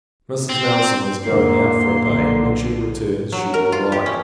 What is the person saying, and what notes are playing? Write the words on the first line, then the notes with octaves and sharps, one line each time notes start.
Mrs. Nelson is going out for a day; when she returns, she will write.
C4
F2 A2 D3 A#3 C6
B1 A#2 D3
F#3
A#4
F4
G4
C#4